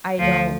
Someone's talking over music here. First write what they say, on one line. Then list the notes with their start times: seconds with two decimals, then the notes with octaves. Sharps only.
I don't
0.20 D2 F3